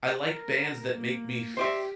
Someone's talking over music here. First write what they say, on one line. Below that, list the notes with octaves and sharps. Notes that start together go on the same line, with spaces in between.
I like bands that make me f
A#4
A#3
G4 C5 D5 E5